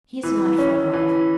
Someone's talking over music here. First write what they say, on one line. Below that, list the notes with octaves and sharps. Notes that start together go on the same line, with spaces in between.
He is not far off....
E3
C#4
E3